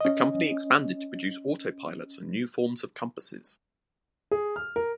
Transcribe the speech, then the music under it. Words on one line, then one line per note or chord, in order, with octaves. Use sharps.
The company expanded to produce autopilots and new forms of compasses.
C#4 D#5
G#4
F6
A#4